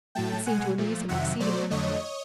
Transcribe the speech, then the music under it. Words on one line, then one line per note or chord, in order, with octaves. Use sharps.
It seemed to amuse him exceedingly.
A2 F#3 A3 G5 A5
B2 G#3 F#5 G#5
A#2 F3 A3
F2 C3 D#3 F#3 E5 F#5
B2 F#3 A3 C5 D5
F2 D3 F#3 A3 C#5 D#5